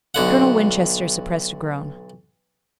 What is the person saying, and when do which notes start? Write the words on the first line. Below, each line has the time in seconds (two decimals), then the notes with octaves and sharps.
Colonel Winchester suppressed a groan.
0.15 B1 D3 F#5